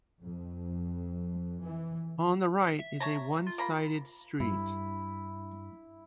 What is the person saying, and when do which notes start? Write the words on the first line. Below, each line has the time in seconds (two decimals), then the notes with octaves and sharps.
On the right is a one-sided street.
0.25 F2
1.64 E3
2.79 E5
3.00 C#5 A5 A#5
3.47 F4
3.58 A#3 A#5 B5
4.40 G2 E4